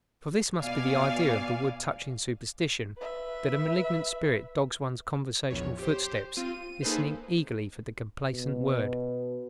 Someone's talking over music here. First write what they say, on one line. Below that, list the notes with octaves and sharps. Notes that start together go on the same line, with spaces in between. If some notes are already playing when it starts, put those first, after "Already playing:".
For this must be the idea of the wood-touching superstition, that a malignant spirit dogs one's conversational footsteps, listening eagerly for the complacent word.
B2 D5 F5 G#5
B4 E5
A#1 E2 C#5
G4 C5
C4 F4 D#7
D#7
A#3 D#4 G#4 A4 B4 C5
B2